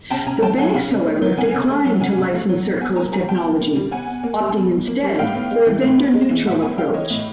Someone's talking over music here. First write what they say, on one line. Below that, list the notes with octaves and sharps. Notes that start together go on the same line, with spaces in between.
The banks, however, declined to license CertCo's technology, opting instead for a vendor-neutral approach.
C#3 G5 A5
C#3 G#5 A#5
A3 G5 A5
F#3 F#5 G#5
C#3
C#3
A3
F#3
C#3 F#5 G#5
C#3
A3
F#3
C#3 F#5 G#5
C#3
A3
F#3
B2
B2 F#5 G#5
A#3 G#5 A#5
G3 G#5 A#5
B2 G5 A5
B2
A#3
G3
B2 F#5 G#5
B2
A#3
G3
B2
B2
A#3
G3
A2 F5 G5
B3
G#3
E3
A2
B3
G#3
E3
A2 E5 F#5
B3 F#5 G#5
G#3 F5 G5
E3 C#5 D#5
A2